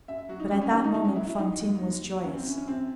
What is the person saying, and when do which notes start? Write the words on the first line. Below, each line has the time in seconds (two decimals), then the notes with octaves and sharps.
But at that moment Fantine was joyous.
0.08 F#2 E5
0.18 E5
0.29 F#3 F#4
0.40 D#4
0.51 F#3 C#4
0.61 C#4
0.73 D#3 C#4
0.84 D#4
0.94 F#3 D#4
1.05 C#4
1.16 F#3 E4
1.26 E4
1.38 F#3 D#4
1.60 D#2
1.81 D#2
2.03 D#2
2.24 F#2 C#4
2.35 C4
2.46 E3 C#4
2.57 C#4
2.68 F#2 C4